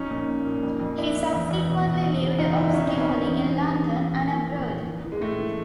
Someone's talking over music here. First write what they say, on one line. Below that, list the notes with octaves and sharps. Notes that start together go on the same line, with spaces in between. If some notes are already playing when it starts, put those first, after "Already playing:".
He subsequently lived obscurely in London and abroad.
Already playing: F3 C#4 D#4
A#2
A#2
A#2
F2
F2
F2 D4 E4
F2
E2
E2
B2
B2
E2
C#3
E2 D#4 F4
E2 D4 E4
E4
E2 C#4 D#4
C4 D4
B2
B3 C#4
E2
E2
G2
G2
E3
E3
A#2
F3
A#2
A#2
E3
E3
G#3
A2 A3
E3